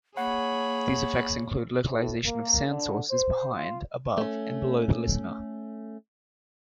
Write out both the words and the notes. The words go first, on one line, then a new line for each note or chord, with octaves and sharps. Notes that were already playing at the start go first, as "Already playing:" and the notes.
These effects include localization of sound sources behind, above and below the listener.
A#3 G#4 C#5 F#5 B5
A2
A#3
D3
C5
F4
A3 C#4